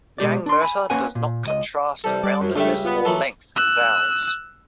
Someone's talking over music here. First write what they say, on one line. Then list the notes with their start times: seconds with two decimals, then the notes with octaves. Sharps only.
Nyangmurta does not contrast roundedness or length in vowels.
0.18 B2 G#3 G4 D5
0.46 D4 C6
0.61 G#5 B5
0.90 A#3 C#4 B4 C#5 F#5 G#5
1.15 A#2
1.46 C#2 D#5
2.04 C3 E3 G3 A4
2.24 G3 D5
2.40 F#2
2.56 C#2 G3 A3 D4 E5
2.85 B3 F4
3.05 E3 F#3 A4
3.56 E6 F#6